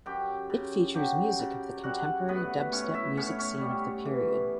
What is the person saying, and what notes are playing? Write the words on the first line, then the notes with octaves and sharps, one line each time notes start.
It features music of the contemporary dubstep music scene of the period.
F#2 G4 G5
C#3
F#3 G4 G5
C#3
G3 F#4 F#5
A2 B3 B4
A2 C#4 C#5
E4 E5
A2 C#4 C#5
C#4 C#5
G3
E3